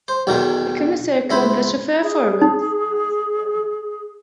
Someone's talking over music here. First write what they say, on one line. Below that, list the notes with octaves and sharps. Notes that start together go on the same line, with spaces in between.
The Commissaire called the chauffeur forward.
C5
B1 E2 B2 D#3 F#3 A#4
C#2 E4 C5 B5
G#4
D#4